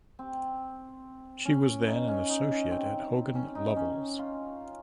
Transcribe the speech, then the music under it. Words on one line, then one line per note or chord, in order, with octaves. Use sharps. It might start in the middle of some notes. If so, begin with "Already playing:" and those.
She was then an associate at Hogan Lovells.
C4
C#4
D#4
C#4
D#4
C#4
C4
C#4
D#4
C#4
F4